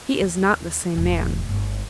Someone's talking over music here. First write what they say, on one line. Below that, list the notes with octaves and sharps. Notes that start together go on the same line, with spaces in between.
He is not the same man.
D#2
E1 A2
G1